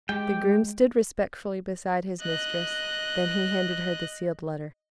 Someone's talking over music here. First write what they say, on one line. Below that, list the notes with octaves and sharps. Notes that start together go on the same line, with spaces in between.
The groom stood respectfully beside his mistress, then he handed her the sealed letter.
G#3 G4 G5
D#5 F#6